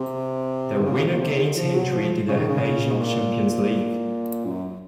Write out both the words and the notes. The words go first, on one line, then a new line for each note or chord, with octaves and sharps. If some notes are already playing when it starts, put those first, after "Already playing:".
The winner gains entry to the Asian Champions League.
Already playing: C3
D#3
C#3
A#2
C3
D#3
F3
F#3
F3
C#3
D#3
C#3
G#2
A#2
F#2